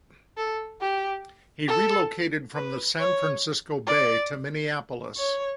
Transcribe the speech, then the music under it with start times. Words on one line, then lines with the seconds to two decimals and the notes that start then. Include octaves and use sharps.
He relocated from the San Francisco Bay to Minneapolis.
0.37 A4
0.81 G4
1.68 A4
2.55 B4
3.00 C#5
3.87 D5
5.17 C#5